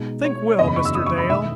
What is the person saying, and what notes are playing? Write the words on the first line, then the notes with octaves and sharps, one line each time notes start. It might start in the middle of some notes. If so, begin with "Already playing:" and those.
"Think well, Mr. Dale!"
Already playing: B2 G#3 D#4
C#5
F#1 E2 D#3 D#5
B5
C#6
E6
D#6
C#6
B5
E1 D#3 A3 E5